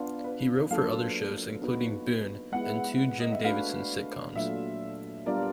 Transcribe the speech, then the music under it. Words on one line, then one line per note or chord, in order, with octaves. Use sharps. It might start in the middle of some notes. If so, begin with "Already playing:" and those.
He wrote for other shows, including "Boon", and two Jim Davidson sitcoms.
Already playing: B3 D4 F4
B4
F#3 A#3 D4 F4 A4 F5
B3 D#4 F#4 B4
G#3 B3 E4 F#5
D#5
E5
A3 D4 F#4 B4 F5
A#2 F#3 A3 D4 F4 E5
G3 B3 D4 F4 A#4 D5